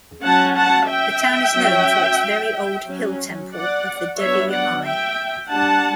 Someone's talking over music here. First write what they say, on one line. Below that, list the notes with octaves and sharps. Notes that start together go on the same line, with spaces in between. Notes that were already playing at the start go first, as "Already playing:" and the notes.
The town is known for its very old hill temple of the Devi Yamai.
F#3 C#4 F#5 A5
F#5 A5
E5 G5
F#3 C#4
F#3 C#4
D5 F#5
F#3 B3 D4 C#5 E5
D5 F#5
E5 G5
G3 D4 F#5 A5